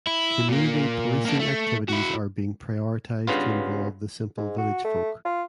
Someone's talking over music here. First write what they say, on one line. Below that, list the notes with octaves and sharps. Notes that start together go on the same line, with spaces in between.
Community policing activities are being prioritised to involve the simple village folk.
E4
A#2 A#3
A#3 D4
A3
E4 F#4
G2 C#3 B3 F4
G#2
F#4
A3
F4